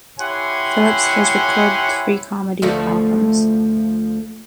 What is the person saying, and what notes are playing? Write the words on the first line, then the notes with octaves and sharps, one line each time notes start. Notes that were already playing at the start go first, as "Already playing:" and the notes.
Philips has recorded three comedy albums.
E4 G4 C#5 F#5 G#5 C6
D2 F3 A3